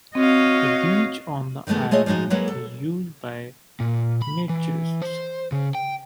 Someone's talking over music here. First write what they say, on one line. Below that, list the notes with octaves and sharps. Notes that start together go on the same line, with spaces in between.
A beach on the island is used by naturists.
C4 F#4 C#5 D#5 F5
D#3 E3 G#3 A3 B3
G#3 A3 G#4 C#5 D#5
F3 G3 G#3 D#4 F#4
F#3 G#3 A#3 A#4 B4 F#5
A4
A#2
B5
E3
C5
C#3
G5